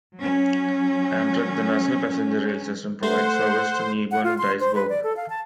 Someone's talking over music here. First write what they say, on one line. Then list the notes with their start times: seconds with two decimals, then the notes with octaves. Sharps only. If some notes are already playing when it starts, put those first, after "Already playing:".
Amtrak, the national passenger rail system, provides service to Newbern-Dyersburg.
0.17 F#3 C#4
3.03 A3 C5 F#5
4.11 F#5
4.24 F4
4.38 C6
4.60 C5
4.75 B4
4.89 D5
5.03 A4
5.17 F5
5.30 A5